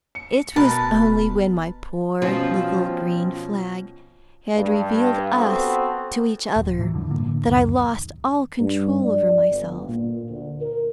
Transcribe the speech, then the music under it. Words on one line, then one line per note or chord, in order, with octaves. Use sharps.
It was only when my poor little green flag had revealed us to each other that I lost all control over myself.
C#7
B2 A#4 B4 A5 B5
D#1
B2 F3 C4 C#4
G2
B3 C4 F#4 A4
D#1
A2 E3 F#3
G2 D3 E3 F3
A2 D3 A#3
C#2 F#2 D#3
G2
D5
G1
A#2
D2
A#4